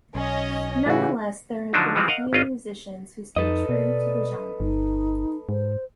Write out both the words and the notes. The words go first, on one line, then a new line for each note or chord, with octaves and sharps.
Nonetheless, there have been a few musicians who stay true to the genre.
B1 C#4 D#5
A2 C#3 E3 F#4
D3 F3 F#3 D4 D#4
E3 F3 G3 G#3 C4
A#4 D#5 F5 F#5
G#1 C#4 F4 D#5
F2 D#4 A4 B4 D#5
B2 D5
G1 D#4
G#2 C5